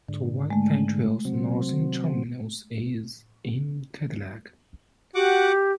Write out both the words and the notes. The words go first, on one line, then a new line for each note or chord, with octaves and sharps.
The White Pine Trail's northern terminus is in Cadillac.
G#2 D3
G#3 A3
C3 F#3 C4
F#4 G4 F#5 D6